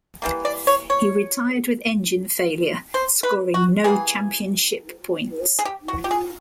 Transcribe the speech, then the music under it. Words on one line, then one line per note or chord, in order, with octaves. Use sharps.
He retired with engine failure, scoring no championship points.
E3 G3 A#3
D5
C#5
C#5
C5
B4
F#4
E3 G3 A#3 G#4
G#4
G4
F#4
G4
G#4